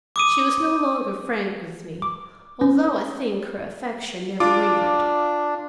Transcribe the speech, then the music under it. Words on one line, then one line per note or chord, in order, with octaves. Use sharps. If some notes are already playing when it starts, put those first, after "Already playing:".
She was no longer frank with me, although I think her affection never wavered.
D6 D#6 D#7
D6
C#4
D4 F4 D6